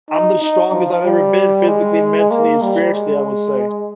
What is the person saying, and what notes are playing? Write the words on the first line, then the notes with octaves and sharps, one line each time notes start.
I'm the strongest I've ever been physically, mentally, and spiritually, I would say.
D#4
D#4
F3
G3
G#3
A#3
G3
G#3